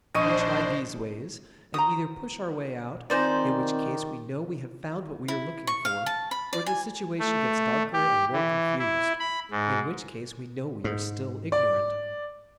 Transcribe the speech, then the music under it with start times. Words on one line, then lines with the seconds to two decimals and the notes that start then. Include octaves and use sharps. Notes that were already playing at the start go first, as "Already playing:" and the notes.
We try these ways, and either push our way out, in which case we know we have found what we were looking for, or the situation gets darker and more confused--in which case, we know we are still ignorant.
0.14 A#1 D4 C5 D#5 C#6 D#7
1.74 F#4 C5 A#5 D#6
3.10 D#3 C4 D#4 F4 C5 D5 G#5
5.28 E4
5.67 C#6
5.85 F5
6.06 A5
6.31 B5
6.53 D5
6.66 G#5
7.20 A3
7.93 G4
8.33 E3
8.79 E4
9.20 B5
9.51 G#2
10.84 G#2
11.52 D5